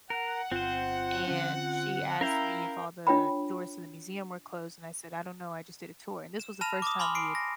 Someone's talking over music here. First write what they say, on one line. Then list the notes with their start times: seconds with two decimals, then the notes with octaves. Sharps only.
and she asked me if all the doors to the museum were closed, and I said, "I don't know; I just did a tour"- and this was the first time we had
0.10 A#4 F#5
0.52 G1 C4 F4 C5
1.27 D3 C#4
2.21 C#4 E4 A#4 F5 G5 A#5
3.07 D4 F4 C#5 G5 B5
6.40 E7
6.61 A5 B5 F6 A#6 E7 F7
6.82 D6 D#6
6.99 G#5 B5 C6 D6 F6 G7
7.15 C7 D7
7.35 A#6